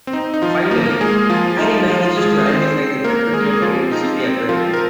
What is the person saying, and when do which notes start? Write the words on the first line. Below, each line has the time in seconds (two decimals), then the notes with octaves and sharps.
Finally, Harry manages to identify the perpetrator in the city aquarium.
0.07 C4
0.13 D#4
0.34 D#4
0.42 F3 F4
0.71 A#3 A#4
0.85 A#3 A#4
1.01 G#3 G#4
1.29 F3 F4
1.59 D#4
1.88 F3 F4
2.05 F4
2.17 G#3 G#4
2.46 C4 C5
3.04 A#3 A#4
3.33 G#3 G#4
3.53 G#4
3.62 F3 F4
3.83 C4
3.91 D#4
4.20 C4
4.49 F3 F4
4.73 A#4